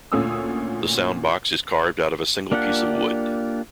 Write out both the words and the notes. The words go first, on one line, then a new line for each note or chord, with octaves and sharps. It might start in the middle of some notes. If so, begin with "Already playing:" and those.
The soundbox is carved out of a single piece of wood.
D2 A#2 C#4 F4 D#6 E6
A#3 D4 F4 G4 F#5